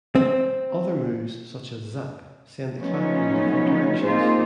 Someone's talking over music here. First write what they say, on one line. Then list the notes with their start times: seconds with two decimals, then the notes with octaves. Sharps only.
Other moves such as "zap" send the clap in different directions.
0.15 C4
2.77 F3 F#3 A3 B3 C#4 D#4
4.02 A#3 C4 D#4 F4 G#4 C5